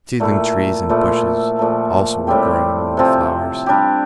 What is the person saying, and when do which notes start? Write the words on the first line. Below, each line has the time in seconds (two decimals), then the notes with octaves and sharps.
Seedling trees and bushes also were growing among the flowers.
0.20 A#2 A3 E4
0.89 A#2 F3 A3 E4
1.59 A#2 F3 A3
2.27 A2 G3 C4 G4
2.97 C3 F3 C4
3.66 G3 D4 G4